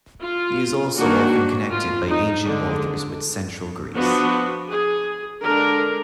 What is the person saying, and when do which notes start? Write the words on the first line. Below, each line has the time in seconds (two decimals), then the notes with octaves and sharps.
He is also often connected by ancient authors with central Greece.
0.23 F4
0.97 D#3 A#3 D4 F#4
1.72 F4
2.08 D#4
2.45 D3 G#3 D4
3.94 F3 B3 D4 F#4
4.69 G#4
5.42 D3 G#3 D4 A#4